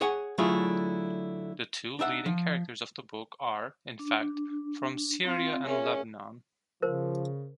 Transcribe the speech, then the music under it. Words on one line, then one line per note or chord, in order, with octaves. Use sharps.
The two leading characters of the book are, in fact, from Syria and Lebanon.
G#4 C#5 F#5 G#5
D3 F#3 A3 E4 F4 G#4
D4 D#4 E5 F#5
F3
D4
C4 F4
C#4 G#4 A#4 E5
C#3 F3 A#4 C5